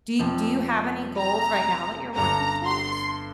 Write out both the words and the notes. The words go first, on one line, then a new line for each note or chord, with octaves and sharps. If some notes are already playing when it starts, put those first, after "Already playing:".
Do you do you have any goals right now that you're working towards?
F1 F2 C3 F3
A#5
G1 G2 D3 A#5
C6